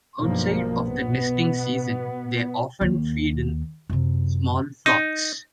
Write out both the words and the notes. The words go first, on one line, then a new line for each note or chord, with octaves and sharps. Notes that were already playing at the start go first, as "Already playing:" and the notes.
Outside of the nesting season, they often feed in small flocks.
B1 G2 F3 A#3
B2 B3
D#2 A#3
F#2 C3
D#4